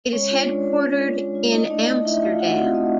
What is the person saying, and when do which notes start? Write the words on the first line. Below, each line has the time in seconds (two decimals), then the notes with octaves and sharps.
It is headquartered in Amsterdam.
0.12 G#3 C#4 C#5
0.30 F4
0.47 G#3 D4 D5
0.65 G#3
0.83 G#3
1.00 F4
1.18 G#3
1.35 F4
1.52 D#4 E4 D#5
1.63 D#5
1.70 A3 D4 D5
1.87 A3 D#4 D#5
2.05 E4 E5
2.22 A3 F4 F5
2.40 A3 F#4 F#5
2.57 C4 F4 F5
2.75 A3 D#4 D#5